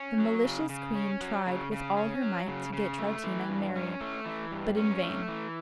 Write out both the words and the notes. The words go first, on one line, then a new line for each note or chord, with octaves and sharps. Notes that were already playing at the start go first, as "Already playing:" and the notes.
The malicious queen tried with all her might to get Troutina married, but in vain.
Already playing: C#4
F#3
C#3
C#3
C#4
F#3
C#3
C#3
C#4
F#3
C#3
C#3
A3
E3
G2
C#4
A3
E3
G2
C#4
A3
E3